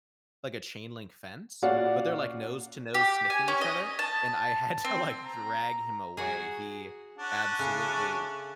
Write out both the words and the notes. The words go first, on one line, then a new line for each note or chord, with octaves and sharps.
like, a chain link fence, but they're, like, nose to nose sniffing each other, and I had to, like, drag him away. He absolutely
A#2 C#4 F#4 D5 F5 F#5
G4
G#5
C#4
D#5
A5
C4
A#5
F#4 G#4
C#4 D4 F#5
C#3 A3